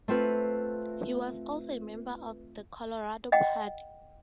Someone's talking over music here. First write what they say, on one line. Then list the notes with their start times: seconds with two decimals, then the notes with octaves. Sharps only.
He was also a member of the Colorado Party.
0.08 A3 C4 F4 B4
3.32 D#5 F#5 G5